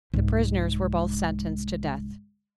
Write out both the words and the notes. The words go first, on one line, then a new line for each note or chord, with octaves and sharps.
The prisoners were both sentenced to death.
C2 G#2